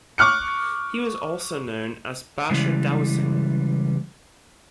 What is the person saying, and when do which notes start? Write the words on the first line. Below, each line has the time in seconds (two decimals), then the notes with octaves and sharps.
He was also known as "Basher Dowsing".
0.18 C#6 D6 F6 F#6 C#7
2.50 C#3 E3 G3 G#3